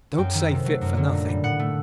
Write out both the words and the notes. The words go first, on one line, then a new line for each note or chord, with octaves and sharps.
"Don't say fit for nothing."
F#2 G5
D#3 A3
C3
F#3 A3
F#2
D3 F#3
A#2
G3
A2 F#5
A3